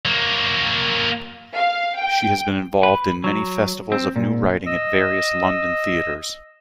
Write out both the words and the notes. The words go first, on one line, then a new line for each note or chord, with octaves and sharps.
She has been involved in many festivals of new writing at various London theatres.
F#3 A#3
F5
G5
B4
F#3
C4
A#2
D#5 E6